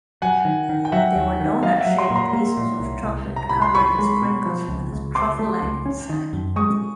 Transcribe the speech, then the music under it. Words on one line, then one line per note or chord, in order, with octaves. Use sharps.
They were donut-shaped pieces of chocolate covered in sprinkles, with a truffle-like inside.
F#3 F#5 G#5
D#3
D#3
G5
F#3 E5 F#5
D#2
D#3
F#3 D#5 F5
E5 F#5
F#3
A#5 C6
A#2
A#5 C6
A#3
A#2
C2
C2
C2
A#5
C2 B5
C6
C2 B5 C#6
G#3
B2
F3
C#2
C#2
C#2 C6 D6
A3
C#2
C#4
D#3
F#2
G#3 C#6 D#6